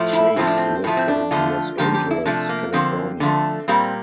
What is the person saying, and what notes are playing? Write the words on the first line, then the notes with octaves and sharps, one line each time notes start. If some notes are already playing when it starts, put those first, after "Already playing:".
Chase lived in Los Angeles, California.
Already playing: A2 F3 A3
E4
A2 F3 A3 C4
D4
C4
A2 F3 A3 C4
C4
D4
D3 F3 A3 F4
D3 F3 A#3 G4
G4
E4
C3 F3 A3 D4
A#3
D3 F3 A#3 C4
D3 F3 A3
A#2 G3 A#3 C4